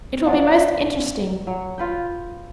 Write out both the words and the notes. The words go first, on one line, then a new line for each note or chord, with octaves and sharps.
It will be most interesting.
F3 F#3 D4 F#4
F#3 C#5
F4 B4 G5